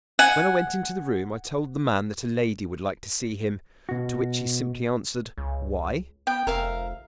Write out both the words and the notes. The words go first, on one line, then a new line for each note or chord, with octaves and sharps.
When I went into the room, I told the man that a lady would like to see him; to which he simply answered: "Why?"
F#5 G#5
B2 F#4
C#2
B3 G5
F1 A#4 E5 F5